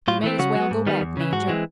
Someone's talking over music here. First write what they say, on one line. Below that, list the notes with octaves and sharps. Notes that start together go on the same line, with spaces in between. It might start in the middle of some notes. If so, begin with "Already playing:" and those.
We may as well go back, major.
A2 F4
E3 A3 C4
C#3 F#4
F#3 B3
G#2
D#3 G3 B3
E2
C#3 E3
G#2 F#4
E3 G#3 C4